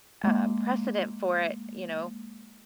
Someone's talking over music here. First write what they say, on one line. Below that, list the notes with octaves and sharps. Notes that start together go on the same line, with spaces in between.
um, precedent for it, you know,
G#3 A#3